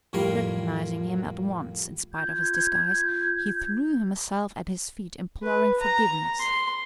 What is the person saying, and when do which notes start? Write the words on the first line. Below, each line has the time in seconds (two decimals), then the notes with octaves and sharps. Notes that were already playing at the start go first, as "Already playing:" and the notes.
Recognising him at once in spite of his disguise, he threw himself at his feet imploring forgiveness.
0.13 F2 A2 G3 A#4 C6
2.13 F4 G6 G#6
5.43 B4
5.80 A#5
6.40 C6